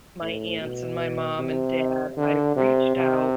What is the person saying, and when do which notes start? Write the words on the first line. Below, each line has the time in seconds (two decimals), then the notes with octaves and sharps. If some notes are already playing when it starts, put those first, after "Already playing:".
my aunts and my mom and dad, I've reached out
0.22 A2
0.61 B2
1.39 C3
2.17 D3
2.56 C3
2.96 C3